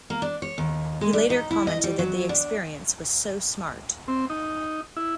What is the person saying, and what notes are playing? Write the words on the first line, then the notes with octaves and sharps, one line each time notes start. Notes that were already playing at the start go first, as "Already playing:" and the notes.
He later commented that the experience, was so smart.
A#3
D4
C#5
D#2
G#3
D4
D#4
E4
D#5
G3
F#3
D4
C4
D#4
E4